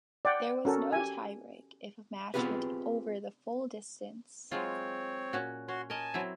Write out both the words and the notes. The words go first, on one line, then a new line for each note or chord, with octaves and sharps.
There was no tie-break if a match went over the full distance.
D5 F#5 G5
C#4 F#4 A4 A#4
G4 G#5
B3 C4 F4 G4 G#4 B4
F#3 G#3 C4 F4 C#5
A#2 C#4 F#4
C#4 F#4 C6
A#4 D#5 G#5 A5
F#3 C4 E4